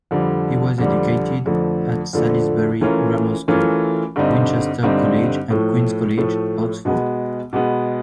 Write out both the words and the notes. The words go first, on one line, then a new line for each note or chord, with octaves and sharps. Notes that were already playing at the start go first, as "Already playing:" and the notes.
He was educated at Salisbury grammar school, Winchester College and Queen's College, Oxford.
F2 D3 G3
F2 D3 G3
F2 D3 F3 A3
F2 D3 F3 A3
E3 A3 C#4 F4 A#4
E3 A3 C#4 F4 A#4
G2 D3 G3 C4 D#4
G2 D3 G3 C4 D#4
A2 F3 A3
A2 F3 A3
B2 G#3 B3
B2 G#3 B3